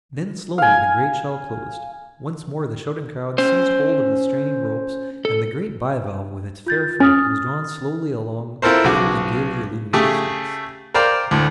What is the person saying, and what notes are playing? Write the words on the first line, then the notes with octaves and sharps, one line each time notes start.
Then slowly the great shell closed, once more the shouting crowds seized hold of the straining ropes, and the great bivalve with its fair freight was drawn slowly along through the gayly illuminated streets.
F5 G#5
C#4 C5
A4
F4 G6 A6
C#4 D#6 F6 A6
C4 E4 F4 A4 A#4 C5
B1 C#3 F#4 D6
C#3 A3 G4 G#4
A#4 C5 D5 F5 G5 A#5
D2 A2